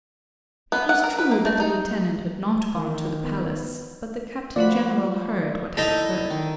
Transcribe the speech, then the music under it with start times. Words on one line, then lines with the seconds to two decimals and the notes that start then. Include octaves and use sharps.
It was true that the lieutenant had not gone to the Palace, but the Captain-General heard what had occurred.
0.72 B3
0.89 F#5
1.04 A#4
1.18 B4
1.31 A#3
1.45 A3
1.60 D#4
2.75 D#3
3.24 B3
4.56 F3 F#4 D5 B5
5.77 D#4 E4 A4
6.30 D#3